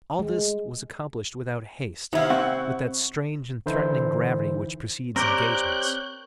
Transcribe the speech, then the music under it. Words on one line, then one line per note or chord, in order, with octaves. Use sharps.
All this was accomplished without haste, with that strange and threatening gravity which precedes engagements.
G#3
C3 D#3 B3 E4 F5
C4 F#5 C#6
D3 E3 D#4 E4 C5
C4 G4 A#4 C#5 D5 F#6 G6